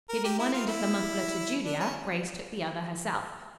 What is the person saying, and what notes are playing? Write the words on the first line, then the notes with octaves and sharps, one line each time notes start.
Giving one end of the muffler to Julia, Grace took the other herself.
A#4
G4
E4
F4
E4
D4
C#4